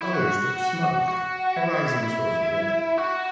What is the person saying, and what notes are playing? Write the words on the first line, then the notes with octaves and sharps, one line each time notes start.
Others took to smuggling, a rising source of revenue.
E4
F#4
F#4
E4
E4
F#4